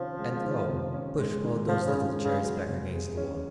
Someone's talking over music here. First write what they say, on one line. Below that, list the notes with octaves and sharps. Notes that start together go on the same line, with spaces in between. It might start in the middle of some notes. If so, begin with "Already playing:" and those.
And oh! push all those little chairs back against the wall.
Already playing: C3 D#3 F3 C#4
G#3
D#3
C3
C#4
G#3
D#3
C3 F3
C#3
C#4
G#3
C#3
F#3
C3
G#4
C#4